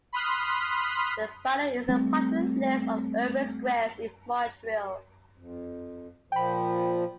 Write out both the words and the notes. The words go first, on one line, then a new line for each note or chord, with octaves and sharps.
The following is an partial list of urban squares in Montreal.
B5 C6 D#6 F6 F#6 B6
G3 A3 C4
F2
A#2 F3 G5 B5